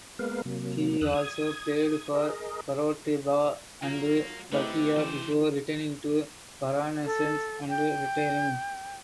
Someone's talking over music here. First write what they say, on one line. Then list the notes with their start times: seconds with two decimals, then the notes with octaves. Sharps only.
He also played for Coritiba and Bahia before returning to Paranaense and retiring.
0.19 G#3 A#3 B3 A#4 B4 F5
0.45 C3 F#3 A#3
1.01 E2 D3 D#6 E6 F#6
1.15 D#6 G#6
2.13 G#4 A#4 D#5
3.83 F#3 A#3 F4
4.52 D3 A3 C4 D#4 E4 G4 B4 G5
4.97 E3 A3 C5
7.05 A4
7.69 G5